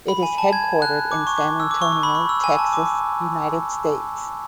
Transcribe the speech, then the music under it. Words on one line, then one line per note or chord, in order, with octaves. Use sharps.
It is headquartered in San Antonio, Texas, United States.
B5
G#5
A5
G#6
F#6
D6
C#6
D6
E6
D6
C#6
C#6
B5
C#6
E6
G#5
A5
D6